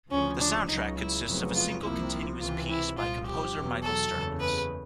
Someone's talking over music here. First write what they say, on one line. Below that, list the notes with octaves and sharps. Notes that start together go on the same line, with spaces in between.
The soundtrack consists of a single continuous piece by composer Michael Stearns.
D2 C#3 F3 C#4
D4
C#2 C#3 F#3 D#4
E4
F1 F2 C#3 F#3 B3
F4
C2 C3 F3 A#3 E4
C#2 C3 E3 F4
E4
C2 A#2 F3 F4
G4
E2 B2 F#3
A4
F#1 E2 C#3
B4